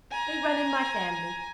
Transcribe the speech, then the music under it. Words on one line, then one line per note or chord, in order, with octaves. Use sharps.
They run in my family.
G#5 A#5